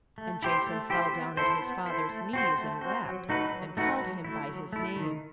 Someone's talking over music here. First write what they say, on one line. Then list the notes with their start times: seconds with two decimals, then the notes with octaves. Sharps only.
And Jason fell down at his father's knees, and wept, and called him by his name.
0.18 A3
0.42 E4 G4 C5
0.67 A3
0.90 E4 G4 C5
1.13 B3
1.37 E4 A4 C5
1.62 B3
1.86 E4 A4 C5
2.09 A3
2.33 C4 F#4 C5
2.58 A3
2.81 C4 F#4 C5
3.05 F#3
3.29 A3 D#4 F#4 B4
3.53 F#3
3.77 A3 D#4 F#4 B4
4.00 F#3
4.25 A3 E4
4.49 F#3
4.73 A3 E4
4.96 D#3